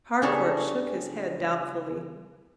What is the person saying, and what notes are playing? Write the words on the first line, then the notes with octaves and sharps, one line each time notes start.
Harcourt shook his head doubtfully.
C#3 G3 D4 G#4 A4 C#5